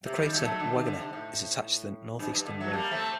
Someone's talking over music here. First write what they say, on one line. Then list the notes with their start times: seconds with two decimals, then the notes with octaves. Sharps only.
The crater Wegener is attached to the northeastern rim.
0.06 C3
0.18 D#3 G3
0.33 F#3 A3
0.46 F#3 A3
0.59 D3 F#3
0.72 C3 D#3
0.86 D3
1.00 C3
1.13 A2
2.19 G2
2.33 G2
2.47 D3
2.60 F#3 A3
2.73 G3 A#3
2.91 A3 C4